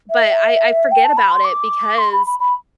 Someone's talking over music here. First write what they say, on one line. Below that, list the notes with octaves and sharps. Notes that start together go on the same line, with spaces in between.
But I I forget about it because
E5
G5
A5
B5
C6
D6
C6
B5
B5
B5